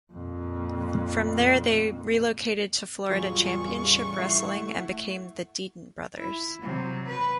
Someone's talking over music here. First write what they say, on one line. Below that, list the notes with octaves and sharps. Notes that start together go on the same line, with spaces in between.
From there they relocated to Florida Championship Wrestling and became The Deaton Brothers.
F2 A#2
A1 E2 C#3 F#3 G3 F4 G#4 C#6
A3 E4 E5 F#5 C7
E4
C3 F#3
B4